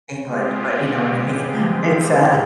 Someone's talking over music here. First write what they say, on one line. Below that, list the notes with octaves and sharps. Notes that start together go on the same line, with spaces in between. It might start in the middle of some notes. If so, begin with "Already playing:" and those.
England, but you know what I mean. It's uh
G#3 B3 C4 F4 G4 G#4